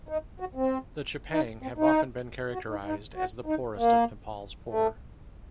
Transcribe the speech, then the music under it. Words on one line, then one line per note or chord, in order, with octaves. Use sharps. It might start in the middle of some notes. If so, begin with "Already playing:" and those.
The Chepang have often been characterized as the poorest of Nepal's poor.
D#4
F#4
C4
D#4
C4
D#4
F#4
D#4
D#4
F#4
D#4
A#3
A3